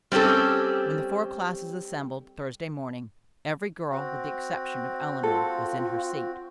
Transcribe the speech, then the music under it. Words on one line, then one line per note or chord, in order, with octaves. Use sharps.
When the four classes assembled Thursday morning, every girl, with the exception of Eleanor, was in her seat.
G3 C4 C#4 G4 A4
C4 F#4
F4 A4